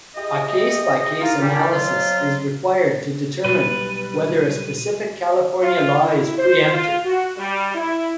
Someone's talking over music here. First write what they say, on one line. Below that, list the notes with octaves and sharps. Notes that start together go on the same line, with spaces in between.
A case-by-case analysis is required to determine whether a specific California law is preempted.
E4 G4 G#4 D#5
A#3 D#4 F4
A#2 D#3 G3
F2 F#3 F4
B1 G3 B4
F4
E4
C5
F4
F#4
G3
E4